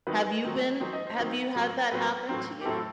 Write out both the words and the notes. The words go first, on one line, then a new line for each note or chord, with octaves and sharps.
Have you been have you had that happen to you?
D#3 F#3 C4 D#4 B4
D#3 F#3 C4 D#4
D#3 F#3 C4 D#4 C5
D#5
C5
D#3 F#3 C4 D#4
A2 F#3 C4
A2 F#3 C4 B4
A2 F#3 C4
G4
A2 F#3 C4 A4